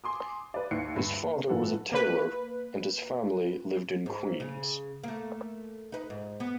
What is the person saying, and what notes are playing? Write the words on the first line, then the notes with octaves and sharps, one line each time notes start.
His father was a tailor and his family lived in Queens.
G#5 C6 D6 D#6
B4 D5
D#2 E4 F#6 C7 C#7
D2 G2
A#3
G2 E3 F#3 B3 A4 F#5
A#3 B4
G#2
C#3
A3 A#3
D#4 B4
G#2
B3